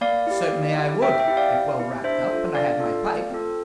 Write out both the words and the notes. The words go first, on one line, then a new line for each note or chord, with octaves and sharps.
"Certainly I would, if well wrapped up, and I had my pipe."
A#3 D5 F5
E4 G4
A#3
E4 G4
C4 E5 G5
E5 G5
E4 G4
D5 F5
C4
E4 G4
D4 C5 E5
F4 A4
D4 D5 F5
F4 A4
A3
C4 F4 A4